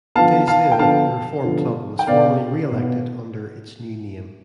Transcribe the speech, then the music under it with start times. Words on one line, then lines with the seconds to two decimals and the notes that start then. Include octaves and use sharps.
Days later the reformed club was formally re-elected under its new name.
0.15 D3 F3 B3 F5 A5
0.48 F5 A5
0.72 G5
0.79 D3 F3 B3 F5 A5
1.43 D3 F3 B3
1.99 G5
2.07 B2 B3 D5 F5
2.71 B2 B3